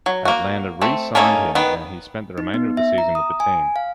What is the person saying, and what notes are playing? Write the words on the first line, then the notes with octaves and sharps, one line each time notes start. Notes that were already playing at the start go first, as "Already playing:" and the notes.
Atlanta re-signed him, and he spent the remainder of the season with the team.
F#3
A#3 F#4
A3 C4
A3 A#3 C#4 D#4 A4
D#3 B3
D#4
B3
E5
A#5
D#6
G#5
F5